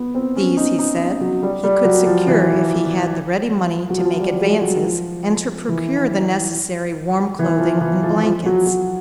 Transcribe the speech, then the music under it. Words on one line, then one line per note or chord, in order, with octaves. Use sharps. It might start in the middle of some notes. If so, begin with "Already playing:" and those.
These, he said, he could secure if he had the ready money to make advances and to procure the necessary warm clothing and blankets.
Already playing: B3
C4
C#4
D#4
D#4
F#3
G3
G3
F#3
F3
E3
F#3
F3
G3
G#3
F#3
F3
E3
E3
F3
E3
F3
F3
F#3
F#3